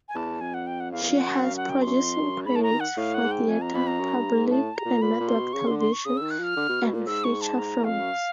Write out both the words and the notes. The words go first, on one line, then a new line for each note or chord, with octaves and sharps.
She has producing credits for theater, public and network television, and feature films.
G#5
E2 A5
F2 G#5
F#5
G5
F#5
E2 F5
E2
F2
F#5
F#2
F5
F#5
G5
F#2 C6
F2
F#2
G#2 B5
A5
A2 A#5
D#3
F#5
A2 F5
F#5
G#2
G5
F2 G#5
A#5
F2 B5
A#5
F#2
G2
G#2
A2 A5
A#5
A#2
A#2 B5
A#2
C6
B2
C#3 C#6
C6
D3
C6
C#6
C#3 D#6
D#3 E6
F#6
F3 F6
D3
B2
B2
A#2
G#2 E6
C#6
A5
A#5
E2
F2 F5
F#2